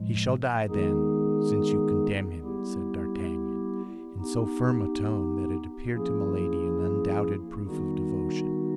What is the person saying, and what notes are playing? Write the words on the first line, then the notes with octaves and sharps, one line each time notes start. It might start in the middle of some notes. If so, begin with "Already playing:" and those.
"He shall die, then, since you condemn him!" said d'Artagnan, in so firm a tone that it appeared to Milady an undoubted proof of devotion.
Already playing: A2 F3 G#3
D#3 G#3 B3 D#4 G#4
G3 B3 E4 G4
B3 D#4 G4
F3 A#3 C#4 E4 G#4
D#3 G3 B3 D#4 F#4